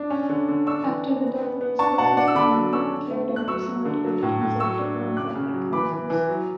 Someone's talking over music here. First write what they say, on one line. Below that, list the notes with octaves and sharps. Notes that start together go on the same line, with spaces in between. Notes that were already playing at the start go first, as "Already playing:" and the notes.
After the death of his closest family, Caird increasingly devoted himself to philanthropic causes.
Already playing: D4
C#4
D3
D3
D4 C#6 E6
E3
D4
B3
B3
B3
D4 A5 C#6
B2 F#5 A5
D4 D5 F#5
E6
D3 B5 D6
F#3
C#4 C#6 E6
D3
A3
A3
F#6
F#3 C#6 E6
F#3
D3
F#3
A2
A2
F#3 C#6 E6
D4
F#3
C#3 D6 F#6
C#3
F#3
E3 B5 D6
E3
E3
F#3